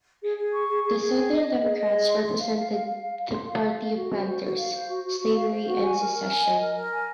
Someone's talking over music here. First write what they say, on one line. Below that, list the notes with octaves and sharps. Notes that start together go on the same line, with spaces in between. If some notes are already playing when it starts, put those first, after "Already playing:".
The Southern Democrats represented the party of planters, slavery and secession.
G#4
G#4
C#6
G#4
G#4
G#4
G#5
D#5
D#5
G#4
D#5
G#4
C6
C6
F5
F5
F5
F5
F5
F5
C6
F5
F5
F5
F#4
C5
F#4
F#4
F5
C5
F#4
F#4
F#4
F5
C5
F#4
G#5
A#4
A#4
G#5
D#5
A#4
A#4
G#5